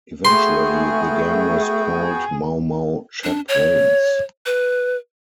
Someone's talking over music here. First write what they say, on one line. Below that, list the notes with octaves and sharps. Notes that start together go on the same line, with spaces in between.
Eventually the gang was called Mau Mau Chaplains.
A3 B3 F#4 G#4 G5 C6
D4
C#5
B4